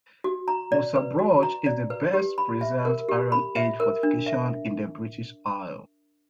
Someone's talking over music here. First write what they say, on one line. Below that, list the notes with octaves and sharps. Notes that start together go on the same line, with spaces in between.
Mousa Broch is the best preserved Iron Age fortification in the British Isles.
F#4
A#5
D5
B4
F#4
A#5
D5
B4
G4
B5
E5
A#4
G4
B5
E5
A#4
D4
E5